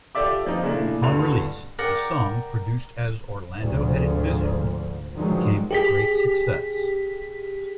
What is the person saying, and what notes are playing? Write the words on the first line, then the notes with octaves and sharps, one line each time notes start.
Upon release, the song, produced as Orlando had envisioned became a great success.
F4 G4 A4 D5 E5 D6
F3 C4 D#4 F4
A#2 C#3 A3 D4 E4
D1 G2 D3 F7
A#4 D5 F#5 G5
D2 G#2 F3
G2 D3 D#3 F3 F#3 G#3
G4 G#4 B6